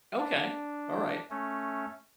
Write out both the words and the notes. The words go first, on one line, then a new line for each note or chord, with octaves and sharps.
Okay. Alright.
D4
A3 C#4